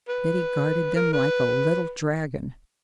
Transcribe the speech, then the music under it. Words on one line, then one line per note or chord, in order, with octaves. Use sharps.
Betty guarded them like a little dragon.
B4
A#4
B4